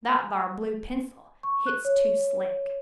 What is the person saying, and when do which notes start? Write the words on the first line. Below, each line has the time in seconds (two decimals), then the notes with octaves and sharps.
That thar blue pencil, hit's too slick.
1.43 C#6
1.66 F#6
1.85 C#5